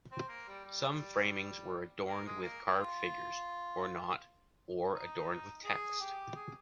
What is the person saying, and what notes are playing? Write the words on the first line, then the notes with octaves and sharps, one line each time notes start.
Some framings were adorned with carved figures or not, or adorned with text.
C4
A#3
G3
G3
A#3
G#3
A#3
G4
F4
D#4
G#4
G4
G#4